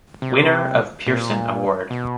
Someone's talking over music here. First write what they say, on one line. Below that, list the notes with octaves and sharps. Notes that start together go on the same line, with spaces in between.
Winner of Pearson award.
C3
A#2
B2